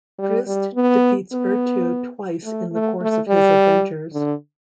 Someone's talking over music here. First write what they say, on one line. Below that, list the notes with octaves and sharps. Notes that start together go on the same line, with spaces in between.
Drizzt defeats Errtu twice in the course of his adventures.
G3
G3
B3
B3
A3
A3
A3
G3
D3